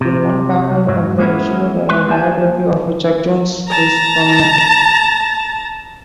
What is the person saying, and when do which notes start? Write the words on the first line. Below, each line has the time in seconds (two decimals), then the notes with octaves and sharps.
In one panel of the issue, the biography of Chuck Jones is prominent.
0.01 C3
0.71 C2
0.88 F2 G#2 F#3
1.18 G#3 A#3 B3 C#4 E4
1.89 G#3 B4 C6
2.08 G3 A#3 B3 C5 G#5 A5
3.69 A5 A#5